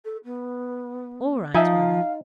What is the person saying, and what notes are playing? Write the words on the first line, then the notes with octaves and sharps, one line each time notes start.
'All right, Mother.
A4
B3
F3 D#4 E5 F5 G#5 G#6